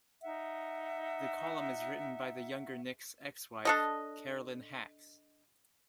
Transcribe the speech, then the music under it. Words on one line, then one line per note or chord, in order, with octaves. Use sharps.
The column is written by the younger Nick's ex-wife, Carolyn Hax.
D#4 E5 F#5
D4 A4 D#5